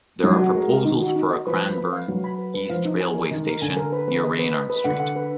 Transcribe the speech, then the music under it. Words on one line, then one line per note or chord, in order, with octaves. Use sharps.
There are proposals for a Cranbourne East railway station near Reynard Street.
F#3 D#4
F#4
G#3 A#4
A#4
D#3 D#4
F#4
D#4
D#5
F3 B4
B4
B5
F5
F#3 B4
B5
B4
B4
F3 F5
D#4
G#5
A#4
D#3 D#4
A#4
D3 G#5
A#4
B4
B4
D#5
B4
D#5
B4
D3 F#5
F#5
B4